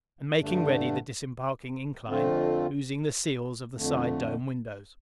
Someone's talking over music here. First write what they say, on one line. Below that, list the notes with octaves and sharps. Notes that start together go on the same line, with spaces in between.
And making ready the disembarking incline, loosening the seals of the side dome windows.
G2 D3 A3 D4
F2 D3 A3 C4 F4
F2 D3 A3